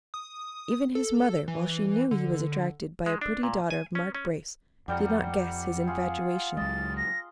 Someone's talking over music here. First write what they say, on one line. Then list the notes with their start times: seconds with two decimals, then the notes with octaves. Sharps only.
Even his mother, while she knew he was attracted by a pretty daughter of Mark Brace, did not guess his infatuation.
0.14 D#6
0.95 A4
1.48 E3
2.11 D3
3.06 G#3
3.21 D4
3.43 A#2
3.70 G#5
3.95 C#4
4.15 C#4
4.88 F2 G3 F#5 G5 A#5
5.87 F4 G#4
6.57 C#2 F#3 G#3 D#5 A6
6.97 A#6